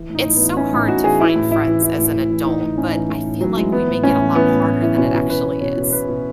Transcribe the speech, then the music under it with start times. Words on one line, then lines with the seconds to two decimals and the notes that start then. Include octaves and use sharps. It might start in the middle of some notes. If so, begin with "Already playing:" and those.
it's so hard to find friends as an adult, but I feel like we make it a lot harder than it actually is.
Already playing: E3
0.10 A2 D#4
0.26 A2
0.36 B3
0.41 E3
0.57 E3 C#4
0.73 A2 D#4
0.88 A2 F#4
1.04 E3 G#4
1.20 E3 E4
1.36 A2
1.51 A2 E4
1.67 E3
1.83 E3
1.99 A2
2.14 A2
2.31 E3
2.46 E3 D#4
2.62 A2
2.77 A2 C#4
2.93 E3
3.09 E3 A3
3.25 A2
3.41 A2 F#3
3.56 E3 G#3
3.72 E3 B3
3.88 A2
4.03 A2 C#4
4.19 E3
4.35 E3 B3
4.51 A2
4.66 A2
4.82 E3
4.98 B2 C#4
5.14 B2
5.29 B2 B4
5.45 B2
5.61 B2 C#5
5.77 B2
5.93 B2 B4
6.08 B2